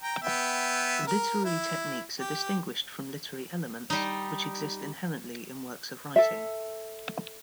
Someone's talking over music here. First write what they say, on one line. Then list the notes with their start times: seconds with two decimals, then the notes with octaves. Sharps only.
Literary techniques are distinguished from literary elements, which exist inherently in works of writing.
0.02 G5 A#5
0.22 B3 E5 G5
1.07 A#4
1.45 E4
2.20 G4
3.90 G3 D#4
6.16 A4 E5